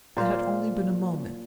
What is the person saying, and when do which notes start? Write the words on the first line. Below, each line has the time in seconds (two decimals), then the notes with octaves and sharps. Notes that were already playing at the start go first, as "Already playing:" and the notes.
It had only been a moment.
0.17 A#2 C5 F5